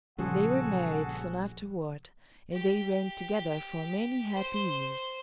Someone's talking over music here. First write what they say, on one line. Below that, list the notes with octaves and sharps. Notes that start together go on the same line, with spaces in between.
They were married soon afterward, and they reigned together for many happy years.
A#1 C#3 F3 G3 F#4 G#4 A4 F#5
G4
C5